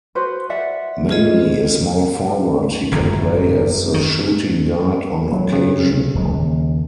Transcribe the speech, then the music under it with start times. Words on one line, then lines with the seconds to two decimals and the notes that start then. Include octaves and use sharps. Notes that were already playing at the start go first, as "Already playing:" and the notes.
Mainly a small forward, he can play as a shooting guard on occasion.
0.15 F#4 B4 C5
0.50 D5 E5 F#5
1.11 F4 G#4 D#5
2.26 G2
2.92 G1 F#2 A2 F3 A#5 C7
3.94 D#3
5.32 F#3
5.52 C#3
6.15 D1 F#3 G#3
6.28 D#2